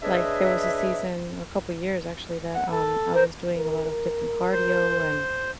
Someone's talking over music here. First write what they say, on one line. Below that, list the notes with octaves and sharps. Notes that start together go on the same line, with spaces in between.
like there was a season or a couple years, actually, that, um, I was doing a lot of different cardio. And,
D4 G#4 B4 C#5 D#5 E5
F#5
A4
A#4 C5
A#4
C5